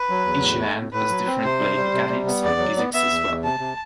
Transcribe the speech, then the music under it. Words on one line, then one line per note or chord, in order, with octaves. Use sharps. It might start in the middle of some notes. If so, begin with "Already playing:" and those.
Each event has different play mechanics and physics as well.
Already playing: B4
F#3
E2
A2
A3
A2
A2 B4
F#3
C4
C3 C5
G3
G3
C3
G3
B3
E2 D5
F#3
B3
B3 E5
E2
E2
C3 A5
C3